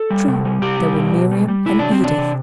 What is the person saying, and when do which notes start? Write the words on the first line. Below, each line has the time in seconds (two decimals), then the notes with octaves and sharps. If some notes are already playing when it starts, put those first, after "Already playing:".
True, there were Miriam and Edith!
Already playing: A4
0.10 G3
0.28 C3
0.45 G3
0.62 C3 G4
0.79 G3
0.96 B2
1.14 B2
1.31 G3
1.48 G3
1.65 C3 E4
1.79 F#3 D4
1.92 C4
2.01 C3 D4
2.18 C3